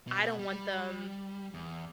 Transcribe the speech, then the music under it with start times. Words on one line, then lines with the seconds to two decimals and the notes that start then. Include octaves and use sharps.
I don't want them
0.07 B2
0.39 G3
1.54 E2